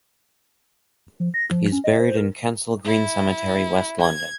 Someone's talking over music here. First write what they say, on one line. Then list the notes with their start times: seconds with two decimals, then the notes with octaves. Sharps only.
He is buried in Kensal Green Cemetery, West London.
1.20 F3
1.34 A#6
1.51 F3
1.72 C#4
1.84 D#5
2.00 C5
2.17 A#4
2.84 E4
4.01 G#6